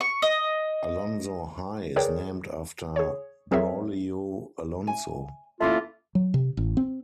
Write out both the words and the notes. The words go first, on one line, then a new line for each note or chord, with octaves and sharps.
Alonso High is named after Braulio Alonso.
C#6
D#5
G#4 A#4 B4 C#5 D5 G5
G#4 C#5
F#3 C4 G#4 A#4 C#5 E5
G#5
E2 A3 A#3 C#4 E4 F4
F#3
C3
A1
C4